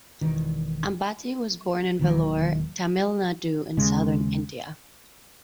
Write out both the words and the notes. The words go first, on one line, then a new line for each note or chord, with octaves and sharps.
Ambati was born in Vellore, Tamil Nadu in southern India.
E1 E2 D#3
E1 D#2 D#3 F#3
D#2 C#3 G#3